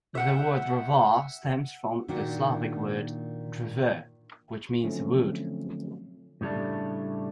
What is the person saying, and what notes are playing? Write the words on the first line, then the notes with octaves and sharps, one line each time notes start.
The word Drvar stems from the Slavic word ""drvo"" which means "wood".
E5 F#5 G5
A#2 D#3 A#3 D4 D#4 F#4
D3 F3 F#3 A3 C4 C#4
A2 C#3 G3 A3 D4